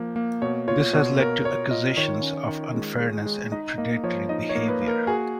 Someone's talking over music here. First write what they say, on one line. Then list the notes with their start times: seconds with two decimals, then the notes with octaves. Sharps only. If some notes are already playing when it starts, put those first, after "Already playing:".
This has led to accusations of unfairness and predatory behaviour.
Already playing: F3 A#3
0.16 A#3
0.42 B2 C#5
0.68 F4 C#5
0.93 B2 C#5
1.19 B2 A#4
1.45 B2 C#5
1.71 F4 D#5
1.97 D#3 C#5
2.22 C#4
2.48 D#3
2.74 G#3
3.00 G#4
3.26 G#3
3.52 D#4 D#5
3.78 A#3 D#5
4.04 F3 C#5
4.29 D#4 D#5
4.49 C#5
4.55 A#3
4.68 B4
4.82 A#3
4.87 A#4
5.07 F#4 G#4